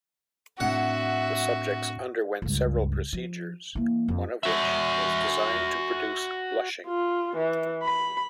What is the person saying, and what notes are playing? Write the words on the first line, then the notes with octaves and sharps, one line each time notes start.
The subjects underwent several procedures, one of which was designed to produce blushing.
A2 C4 D4 F#4 E5 F#5
C#2 G2
F3
E3 A#3
F2
F#4 E5
F4
E3
B5